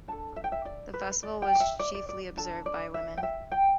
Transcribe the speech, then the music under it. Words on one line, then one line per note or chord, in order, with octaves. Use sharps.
The festival was chiefly observed by women.
D4 A4 A5
E5
G5
E5
D5
B4
D5
G5
D5
E5
D5
D5
D5
D4 A4 A5
D5
E5
G5
E5
G5